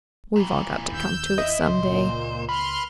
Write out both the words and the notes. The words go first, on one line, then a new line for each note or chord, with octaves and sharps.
We've all got to come to it some day.
A#2 E3
D#2 A#3 E6 G6
E4 D#5
C#2 A#2 C5
B4 B5 C6 F6